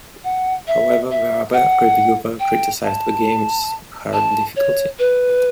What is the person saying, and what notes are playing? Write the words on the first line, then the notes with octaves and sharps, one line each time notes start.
However, the other reviewer criticised the game's hard difficulty.
F#5
E5
E5
F#5
G5
A5
A5
C#5
B4